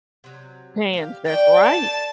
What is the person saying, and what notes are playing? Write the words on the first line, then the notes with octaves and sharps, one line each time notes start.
Hands, that's right.
C3 F#3
G4 F5
A3 D5 G5
A5